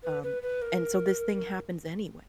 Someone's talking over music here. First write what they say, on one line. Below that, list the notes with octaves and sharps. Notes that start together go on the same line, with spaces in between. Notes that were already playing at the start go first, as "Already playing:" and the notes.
um, and so this thing happens anyway.
B4
B4
B4
A#4